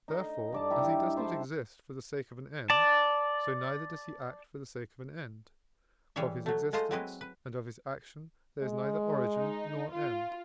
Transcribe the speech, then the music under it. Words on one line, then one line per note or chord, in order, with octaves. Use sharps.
Therefore, as he does not exist for the sake of an end, so neither does he act for the sake of an end; of his existence and of his action there is neither origin nor end.
D#4 D#5
G2 D5 A5
D#4 E4 G4
E4 C5 A5
D5 A5
E3 G3 G#4 C#5 E5
F#3 A3
G#3 A3 F4 C5 D#5
F#3 G#3 C4 E4 B4 D#5
B4
G#3
D#4
F4